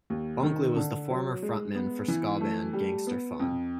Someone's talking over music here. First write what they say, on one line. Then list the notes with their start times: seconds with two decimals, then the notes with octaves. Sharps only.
Bunkley was the former frontman for Ska band Gangster Fun.
0.10 D#2
0.43 D#3
0.76 D3
1.10 F#3
1.42 G#3
1.75 B3
2.08 E3
2.41 A3
2.73 G3
3.07 B3
3.40 F2